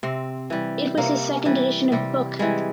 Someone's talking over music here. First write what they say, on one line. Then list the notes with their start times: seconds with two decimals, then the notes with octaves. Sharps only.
It was his second edition of the book.
0.03 C3 C4
0.50 E3 G3
0.98 C3 A#3
1.45 E3 G3
1.92 C3 G3
2.39 E3 G3 G#3